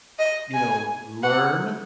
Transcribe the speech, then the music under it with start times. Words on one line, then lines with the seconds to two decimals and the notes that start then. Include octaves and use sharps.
you know, learn,
0.19 D#5
0.54 G#5
1.23 F#5